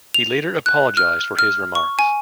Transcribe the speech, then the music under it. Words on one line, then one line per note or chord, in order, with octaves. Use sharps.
He later apologised for his remarks.
F7
F#6
F6
F6
C#6
G#5